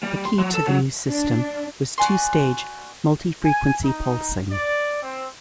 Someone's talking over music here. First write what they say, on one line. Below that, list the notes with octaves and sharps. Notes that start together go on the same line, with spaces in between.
The key to the new system was two-stage multi-frequency pulsing.
G3
C6
F#3
A4
F#3
D4
F#4 D5 G#5 C6
G#5
D#4
D5
C4